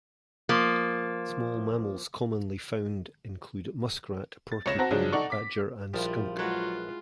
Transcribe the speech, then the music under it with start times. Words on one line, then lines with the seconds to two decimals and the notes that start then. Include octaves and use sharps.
Small mammals commonly found include muskrat, porcupine, badger and skunk.
0.49 F3 A#3
4.52 A6
4.66 C#2 C#5 A#6 E7
4.78 C4 F#4 C5 A5 A#5 A#6
4.91 C#3 F3 F#3 G#3 C#4 D4
5.13 D#4 A4 D5 F#5 C#6
5.30 D6 B6
5.93 A#1 F3 G3 E4 F4 G4
6.38 F#3 G#3 F4 F#4 B4